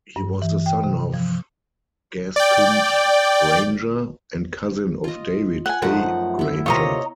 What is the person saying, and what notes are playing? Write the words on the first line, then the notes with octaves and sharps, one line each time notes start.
He was the son of Gaskynd Granger, and cousin of David A. Granger.
G2
E3
G5
C3
F3
D5 G5
F4 D#5
F#5 G#5
F#2 F3 A3 D#4 F#5
B3 E4
C3 A#3 F4 C#5 D#5 A#5